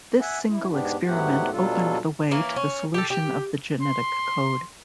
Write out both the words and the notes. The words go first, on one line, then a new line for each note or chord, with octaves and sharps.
This single experiment opened the way to the solution of the genetic code.
E5 F#5 G#5
E4
G#2 B3 D4 G4
G#2 F#3 A3 B3 G4 F#5
B2 F#3 G3 D4 F4 A4
E3 A#3 C#4
C#4
G4 A4
G4
C6